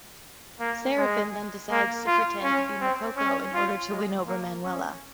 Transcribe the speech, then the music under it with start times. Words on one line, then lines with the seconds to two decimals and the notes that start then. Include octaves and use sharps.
Serafin then decides to pretend to be Macoco in order to win over Manuela.
0.60 A#3
0.97 G#3
1.71 A#3
2.07 F4
2.43 C#4
2.81 C4
3.17 C#4
3.54 F4
3.90 G#3
4.27 A#3
4.64 C#4